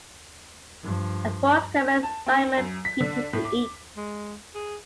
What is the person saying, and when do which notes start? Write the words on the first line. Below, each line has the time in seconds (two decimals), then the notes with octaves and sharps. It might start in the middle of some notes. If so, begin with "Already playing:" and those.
A voice commands Simon Peter to eat.
0.83 G2 F3
2.03 A5
2.26 C4
2.57 F#2
2.85 B6
3.00 D3
3.33 A2
3.45 D6
3.97 G#3
4.55 G#4